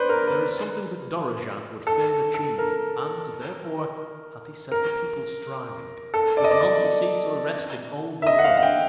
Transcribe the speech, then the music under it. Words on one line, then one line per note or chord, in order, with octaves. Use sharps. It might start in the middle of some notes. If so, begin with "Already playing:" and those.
There is something that Dorozhand would fain achieve, and, therefore, hath he set the people striving, with none to cease or rest in all the worlds.
Already playing: B4 C5 D5
A#4
B4
A4
A4
A#4
A#4
A4
D5
D#5
D5
D5
E5
D#5
F#5
F5
F#5
G5